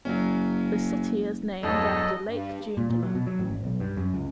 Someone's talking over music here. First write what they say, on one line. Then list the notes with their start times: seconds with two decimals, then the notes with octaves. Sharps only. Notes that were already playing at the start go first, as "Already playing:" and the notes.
The city is named after Lake Joondalup.
0.05 F#1 F#3 C#4
1.63 E1 E2 G2 F#3 A4 D#5
2.27 G2
2.77 A#2
2.90 A#2
3.03 F#3
3.15 B2
3.27 F#3
3.39 A1
3.50 G#1
3.64 B1
3.80 G2
3.97 F#2
4.14 C#2